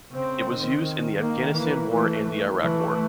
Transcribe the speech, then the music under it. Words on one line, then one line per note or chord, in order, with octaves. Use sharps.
It was used in the Afghanistan War and the Iraq War.
C#3 C4
D#3
D#3 A#3
E3 A#3
E3 A3
E3 A3